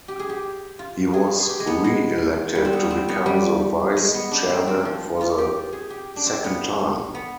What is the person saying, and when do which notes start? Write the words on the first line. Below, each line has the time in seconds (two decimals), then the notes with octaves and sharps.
He was re-elected to become the vice-chairman for the second time.
0.08 G4
0.19 G#4
0.29 G4
0.79 F4
1.14 G#4
1.39 G#4
1.49 G4
1.60 G#3
1.67 B3
1.84 G#3
2.55 G3
2.65 C4
2.73 B3
2.91 C4
3.08 B3
3.26 G3
3.97 G#3
4.15 B3
4.31 D4
4.49 C4
4.67 C4
4.85 F3
5.21 F4
5.38 G4
5.73 G#4
5.90 G4
6.16 D4
6.26 C4
6.44 B3
7.15 B3